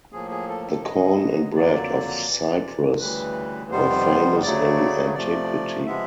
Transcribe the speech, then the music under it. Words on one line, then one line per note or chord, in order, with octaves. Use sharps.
The corn and bread of Cyprus were famous in antiquity.
A2 F3 A#3 G#4
G#4
A4
A4
F#2 D3 F#3 B3 D#5
F2 D3 F#3 A#3 D5
F2 C3 E3
D2 C#3 E3 G3 B4
F2 C3 D#3 G3 B3 C5
D2 C#3 F#3 A3 D5
C3 F3 A3 D5
C3 F3 G#3 B3 E5